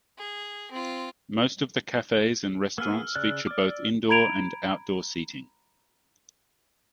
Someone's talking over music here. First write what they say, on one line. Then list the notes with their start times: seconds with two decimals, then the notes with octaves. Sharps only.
Most of the cafes and restaurants feature both indoor and outdoor seating.
0.18 G#4
0.71 C4 F4
2.78 A#3 B3 G#4 E6 F6
3.15 C#3 D5 F#6
3.47 D5 D6
4.09 A#5 B5 G#6 D7 F7